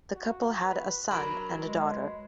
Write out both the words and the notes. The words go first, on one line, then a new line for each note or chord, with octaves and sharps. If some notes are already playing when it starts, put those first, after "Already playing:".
The couple had a son and a daughter.
F#4
B4
F#3 D4 A#4 B5
G#3 B4